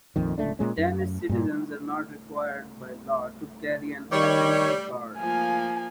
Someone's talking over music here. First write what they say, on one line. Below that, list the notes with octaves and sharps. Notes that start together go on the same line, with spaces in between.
Danish citizens are not required by law to carry an identity card.
A#1 F2 D#3
D1 C#2 A3 D4
A#2 G#3 C#4
F#2
G2 A#2
D#3 G3 C#5
F3 A#3 G#5